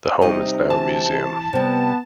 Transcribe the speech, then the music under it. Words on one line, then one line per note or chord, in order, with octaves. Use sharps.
The home is now a museum.
C3 G3 D#4 D#5
E3 A5
C3 G3 B3